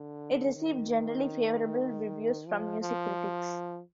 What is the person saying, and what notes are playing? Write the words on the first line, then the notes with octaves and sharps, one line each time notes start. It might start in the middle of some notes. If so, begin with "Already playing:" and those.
It received generally favorable reviews from music critics.
Already playing: D3
D#3
F3
F3